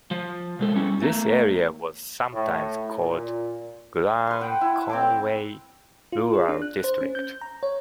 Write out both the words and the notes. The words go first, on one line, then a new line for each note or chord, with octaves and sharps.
This area was sometimes called Glan Conway Rural District.
F3
B2 G#3 A4
G3 C#4 E4
A3 A#3
A2
A#2
B4 C6
F#5 G5
E4
C4 C6 D6
F4
G#4
D4
F#6
C5
C#4
G6
A#5
C#5